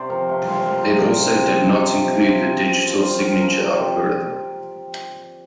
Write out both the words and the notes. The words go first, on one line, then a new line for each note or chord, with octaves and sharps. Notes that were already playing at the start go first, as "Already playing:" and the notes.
It also did not include the Digital Signature Algorithm.
Already playing: C3 C5 D5
F3 A#4
C3
F3 F5
D5
F3 C5
C3
C3
C3
C3
C3
C3
F3
C3
A#2
F3
F3
C5
F3 A#4
F3 G4
A#2 A#4
C3 D5